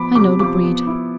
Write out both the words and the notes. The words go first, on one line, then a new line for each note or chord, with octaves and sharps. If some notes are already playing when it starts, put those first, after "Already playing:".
I know the breed.
Already playing: F3 B3 B5 D6
C3 D6
F3 D6
B3
E4